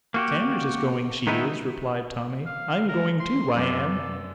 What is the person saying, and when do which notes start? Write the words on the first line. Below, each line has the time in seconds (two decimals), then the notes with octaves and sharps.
Sanders is going, she is,' replied Tommy; 'I'm going too, I am.'
0.14 A#3 F#4 G4
1.27 D#3 G#3 B3 D#4 E4
2.46 F5
2.88 A#4
3.20 C6
3.56 F1 F#2 B3 D5